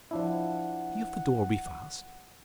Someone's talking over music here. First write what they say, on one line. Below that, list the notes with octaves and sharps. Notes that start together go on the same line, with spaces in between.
See if the door be fast.
F3 D4 E4 F#5